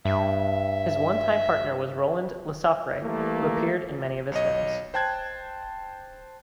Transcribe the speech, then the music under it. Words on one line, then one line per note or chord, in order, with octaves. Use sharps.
His one-time partner was Roland Lesaffre who appeared in many of his films.
G2 E5
E3 G3 A3 A#3
B1 C#5 D#5
C5 G5 A5 F#6 G#6